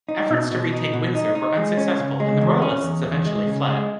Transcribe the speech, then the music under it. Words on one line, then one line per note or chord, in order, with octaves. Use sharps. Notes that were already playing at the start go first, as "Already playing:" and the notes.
Efforts to retake Windsor were unsuccessful and the royalists eventually fled.
D#4
B2
B2
D#4
B2
D#4
D#4
G#3
C#4
C#3
G#3
E2
C#4
E2
E2
G#3
C#3
G#3